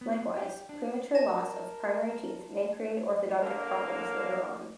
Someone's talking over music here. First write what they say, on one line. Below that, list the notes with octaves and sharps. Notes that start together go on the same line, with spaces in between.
Likewise, premature loss of primary teeth may create orthodontic problems later on.
B3
G4
D4
A#4 A5 A#6 E7
D3 A#3 C#4 A#4 F5